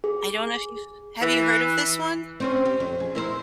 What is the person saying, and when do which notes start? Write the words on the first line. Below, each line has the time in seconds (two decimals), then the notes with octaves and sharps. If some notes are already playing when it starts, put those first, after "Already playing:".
I don't know if you've have you heard of this one?
0.04 G#4
1.22 E3
2.40 C4 C#4 C5
2.65 G4
2.80 F2
3.00 G#4
3.15 E4 A#4 C5